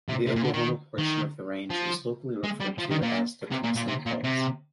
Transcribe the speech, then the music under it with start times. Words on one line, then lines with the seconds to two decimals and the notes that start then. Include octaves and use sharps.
The Oklahoma portion of the range is locally referred to as the Cookson Hills.
0.09 C3
0.27 C3
0.36 A#2
0.44 D3
0.53 D#3
0.98 D#3
1.70 F3
2.44 G#3
2.60 G3
2.79 F3
2.91 D#3
3.03 A#2
3.51 C3
3.63 A#2
3.75 A#2
3.88 C3
4.06 A#2
4.24 C3